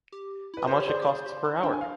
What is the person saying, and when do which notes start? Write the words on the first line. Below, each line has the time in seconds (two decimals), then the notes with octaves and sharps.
How much it costs per hour?
0.12 G4
0.54 E4 B4
0.62 F4
0.67 F#4 C5
0.78 G4 C#5
0.88 G#4 C5 D5
1.02 G4
1.07 G#4
1.26 G4
1.44 E4
1.63 D4 G5
1.73 G#5
1.81 F5